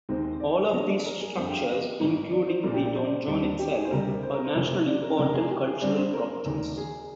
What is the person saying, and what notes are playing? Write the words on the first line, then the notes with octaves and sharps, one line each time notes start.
All of these structures, including the donjon itself, are National Important Cultural Properties.
D#2 D#3 G#3 C4 C5
C5
D5
G2 F3 A#3 D4 D#5
D5
A#4
G#4
G1 F2 D3 G3 D4 C5
G5
F5
D#5
G#1 G2 D3
D5
C5
A#1 A#2 G#3 A#4
G4
D5
C5
D5
C5
D#2 D3 G3 D4
G4
G#4
C5
D2 C3 G3 A#4
C5
A#4
C5
F1 F2 C3 F3
D5
A#4
F1 F2 C3 A#4
G#4
G4
G#4
G2 D3 G3 C4 D5
C5
A#4
F1 D#2 D#3
G#4